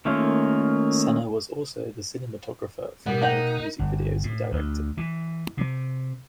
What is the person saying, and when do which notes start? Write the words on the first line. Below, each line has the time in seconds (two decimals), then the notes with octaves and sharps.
Sena was also the cinematographer for many of the music videos he directed.
0.05 D#3 A3 A#3 C#4 F4
3.06 B2 G3 B3 A#4
3.22 A#3 D#4 F#5 G5
3.79 G1
4.24 A2
4.52 D2
4.97 E3
5.57 C3